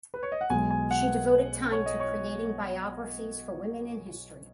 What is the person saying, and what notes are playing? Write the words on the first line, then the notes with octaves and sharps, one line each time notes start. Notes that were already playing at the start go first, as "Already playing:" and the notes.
She devoted tine to creating biographies for woman in history.
B4
C#5
D#5
F#5
B1 B2 G#3 G#5
G#5
F#5
C#5
D#5
C#5